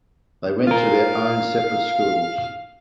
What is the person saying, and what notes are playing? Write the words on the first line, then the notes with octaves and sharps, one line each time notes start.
They went to their own separate schools.
F4 A#4 F5